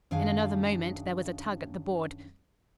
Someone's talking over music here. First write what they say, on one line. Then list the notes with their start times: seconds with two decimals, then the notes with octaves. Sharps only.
In another moment there was a tug at the board.
0.11 F#2 D#3 D4 G#4 F5 G#5